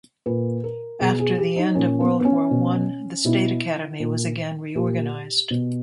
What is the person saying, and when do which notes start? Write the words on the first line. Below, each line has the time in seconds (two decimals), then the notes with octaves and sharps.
After the end of World War One, the State Academy was again reorganized.
0.26 A#2 B4
0.64 A#4
1.00 B2 G#4
1.20 G#4
1.38 G4
1.56 D#4
1.75 A#2 C#4
2.00 B3
2.21 B3
2.25 C#4
2.51 B2
3.25 B2 E4
4.00 A#2
4.75 A#2 G4
5.51 B2